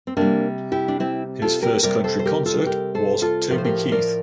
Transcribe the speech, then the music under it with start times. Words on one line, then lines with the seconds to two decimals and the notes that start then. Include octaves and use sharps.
His first country concert was Toby Keith.
0.07 C4
0.17 C3 G3 A#3 D4
0.72 E4 G4
0.88 D4
1.00 C4 E4
1.42 F4 A4
1.62 G4 A#4
1.83 C3 G3 A#4 D5
2.04 A4 C5
2.19 C5
2.25 G4 A#4
2.46 F4 A4
2.66 G4 A#4
2.95 A4 C5
3.22 F4 A4
3.50 A2 F3 A#4
3.58 C5
3.64 G4 A#4
3.92 A#4 D5